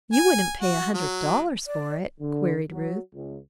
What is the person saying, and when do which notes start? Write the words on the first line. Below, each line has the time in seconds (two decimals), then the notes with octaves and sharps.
"You wouldn't pay a hundred dollars for it?" queried Ruth.
0.13 G#5
0.61 F#4
0.95 F#3
1.67 D5
2.20 D3
2.71 F#3
3.14 C#2